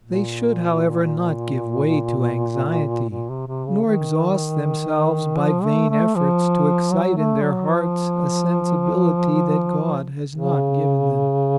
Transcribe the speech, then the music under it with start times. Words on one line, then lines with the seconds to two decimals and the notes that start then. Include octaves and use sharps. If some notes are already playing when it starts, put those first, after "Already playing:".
They should, however, not give way to anxiety, nor exhaust themselves by vain efforts to excite in their hearts a sensibility that God has not given them.
0.04 A#2
3.10 A#2
3.29 C3
3.48 C3
3.67 C#3
3.86 D#3
5.39 F3
5.65 A3
5.90 A3
6.16 F3
6.92 F#3
7.17 A3
7.43 F#3
7.68 F3
10.36 C#3